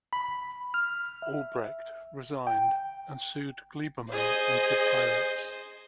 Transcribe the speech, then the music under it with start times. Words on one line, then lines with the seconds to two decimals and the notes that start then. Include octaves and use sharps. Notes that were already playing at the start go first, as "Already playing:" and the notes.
Albrecht resigned and sued Glieberman and the Pirates.
0.13 B5
0.74 F6
1.22 E5
2.47 G5
4.11 G#4 C5 D#5